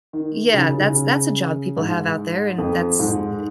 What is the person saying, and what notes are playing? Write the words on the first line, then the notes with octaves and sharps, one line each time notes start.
Yeah, that's that's a job people have out there, and that's, i i
D#3
C#3
D#3
C#3
G#2
F2
G#2